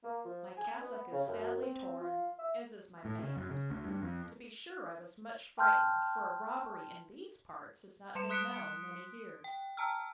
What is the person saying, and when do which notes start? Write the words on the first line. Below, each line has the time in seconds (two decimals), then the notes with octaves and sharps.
My cassock is sadly torn, as is my band. To be sure, I was much frightened, for a robbery in these parts has not been known many years.
0.04 A#3
0.26 F3
0.57 G#5
0.81 B3
1.12 C#3
1.28 F#2
1.62 C4
2.01 F4
2.39 E5
3.05 A2
3.22 C#3
3.37 F#2
3.50 C#3
3.70 D2
3.84 G2
4.02 F2
5.58 G5 A5 C6 F6 G6
8.15 G3 C6 C#7 E7
8.29 C6 D#6 F#6 B6 C#7 D7
9.44 G5
9.77 G5 A5 A#5 E6 F6